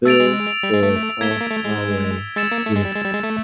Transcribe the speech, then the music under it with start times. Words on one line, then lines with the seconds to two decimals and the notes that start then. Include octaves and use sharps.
Built for Off-Highway vehicles.
0.05 A3 E6 A6 D7 F7
0.20 G#3
0.63 G3
0.74 G#3
0.83 A3
1.21 A#3 G#6 B6 E7 G7
1.31 A3
1.40 A#3
1.50 A3
1.65 G#3
2.36 G#3 E6 A6 C#7 E7
2.51 A#3
2.66 A3
2.76 G#3
2.85 G3
2.95 G#3
3.05 G3
3.13 G#3
3.23 A3